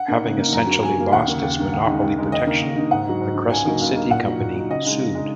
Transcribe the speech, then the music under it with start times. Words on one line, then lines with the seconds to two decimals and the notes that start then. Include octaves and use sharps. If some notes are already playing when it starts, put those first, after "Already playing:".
Having essentially lost its monopoly protection, the Crescent City Company sued.
Already playing: F#5
0.08 A#3 D#4
0.23 C#3
0.38 A#3 D#4
0.52 F#2 A#5
0.67 F#3 A#3
0.83 F#2 G#5
0.98 F#3 A#3
1.12 D#2 F#5
1.27 C#3 A#3
1.42 D#2
1.58 C#3 A#3
1.73 D#2
1.86 C#3 G#3 D#4
2.01 D#2
2.16 C#3 G#3 D#4
2.32 D#2 D#5
2.47 C#3 A#3 D#4
2.61 D#2
2.76 C#3 A#3 D#4
2.91 G#2 F#5
3.07 F#3 D#4
3.21 G#2
3.35 F#3 D#4
3.50 C#2 G#5
3.66 C#3 F#3 A#3 D#4
3.81 C#2
3.96 C#3 F#3 A#3 D#4
4.10 A#2 F#5
4.25 F#3 D#4
4.40 A#2
4.56 F#3 D#4
4.69 C#3 D#5
4.84 G#3 D#4
5.00 C#3
5.15 G#3 D#4